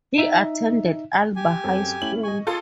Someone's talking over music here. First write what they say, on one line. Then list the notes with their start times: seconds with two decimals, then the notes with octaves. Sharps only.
He attended Alba High School.
0.18 D#4 E5
1.36 G4 G#5
1.64 F#2 C4 A4
2.02 A3 C#4 E4 F#7
2.23 D#5 G#5 C#6
2.47 F4 G#4 A4